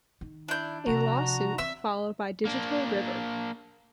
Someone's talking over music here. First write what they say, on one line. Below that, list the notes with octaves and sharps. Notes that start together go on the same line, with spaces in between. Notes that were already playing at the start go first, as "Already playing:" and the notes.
A lawsuit followed by Digital River.
D#3
D4 E4 G6
C3 F3 F#4 A#5
E3 C4 E5 E6
A#3 D4